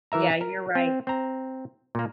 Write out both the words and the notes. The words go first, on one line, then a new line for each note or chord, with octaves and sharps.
yeah, you're right.
E3 A#4 E5 A#5
A#4
C4
C4 A#5
A#2 A#3